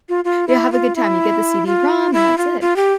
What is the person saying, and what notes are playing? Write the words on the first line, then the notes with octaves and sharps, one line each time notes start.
Yeah, have a good time, you get the CD-ROM and that's it.
F4
F4
E4
F4
E4
F4
E4
F4
F4
G4